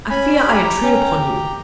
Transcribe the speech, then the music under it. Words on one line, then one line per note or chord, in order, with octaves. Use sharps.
I fear I intrude upon you.'
C#4 G#5 B5
G#5 B5
G4
G#5
G5 A#5
C#4
G4